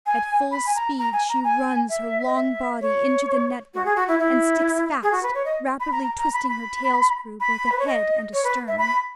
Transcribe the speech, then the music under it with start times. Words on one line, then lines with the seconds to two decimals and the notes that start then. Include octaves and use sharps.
At full speed she runs her long body into the network and sticks fast, rapidly twisting her tail-screw both ahead and astern.
0.06 G#5
0.51 B5
0.66 G#5
0.76 A#5
0.98 A#5
1.13 G#5
1.29 A#5
1.44 G#5
1.90 E5
2.27 D#5
2.35 E5
2.81 C#5
3.74 F#4
3.85 G#4
3.96 F#4
4.08 E4
4.19 E4
5.03 G#4
5.12 F#4
5.23 B4
5.34 C#5
5.45 D#5
5.80 B5
5.92 A#5
6.03 A#5
6.18 A#5
6.33 B5
6.49 B5
7.40 B5
7.72 B4
7.79 C#5
7.87 D#5
8.33 C#5
8.44 B4
8.68 E5
8.78 B5